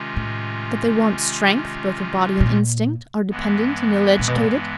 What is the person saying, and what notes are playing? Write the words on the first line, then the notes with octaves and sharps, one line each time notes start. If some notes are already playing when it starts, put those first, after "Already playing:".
That they want strength, both of body and instinct, are dependant, and ill educated?
Already playing: C3 D#3 G#3 C#4 F4
A2
A#2
G2 E3 G#3 B3
A#2
B2
A#2